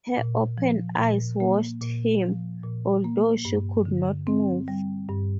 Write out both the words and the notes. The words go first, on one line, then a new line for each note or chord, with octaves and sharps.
Her open eyes watched him, although she could not move.
A#2
F3
A#2
A#3
A#2
F3
A#2
A#3
G2
D3
C4
G3
G2